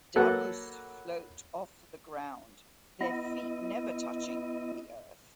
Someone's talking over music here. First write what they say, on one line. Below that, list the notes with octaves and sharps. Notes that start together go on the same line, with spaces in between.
Dabus float off the ground, their feet never touching the earth.
F#3 A#3 A4 B4 F#5
B3 E4 D#5